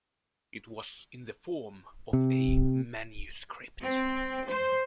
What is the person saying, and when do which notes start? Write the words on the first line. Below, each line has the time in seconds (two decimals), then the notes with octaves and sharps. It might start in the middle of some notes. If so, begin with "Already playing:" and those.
It was in the form of a manuscript.
2.13 C3
3.82 C4
4.47 C5